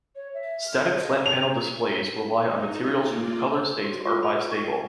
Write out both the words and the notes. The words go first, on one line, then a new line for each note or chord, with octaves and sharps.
Static flat-panel displays rely on materials whose color states are bistable.
C#5
E5
F6
G#4
D#5
F7
D#4
A#3 F4 D5
C5
F#4
F4
B5
B4
C#6
G5